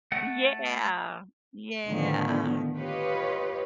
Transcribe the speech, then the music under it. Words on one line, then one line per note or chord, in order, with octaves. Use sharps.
Yeah. Yeah.
A3 F#5
A2 D3 D#3 F3 B3
F4 G4 B4 C#5 D#5